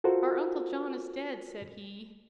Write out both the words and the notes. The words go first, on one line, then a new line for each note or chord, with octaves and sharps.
"Our uncle John is dead," said he.
F4 F#4 A4 A#4 C5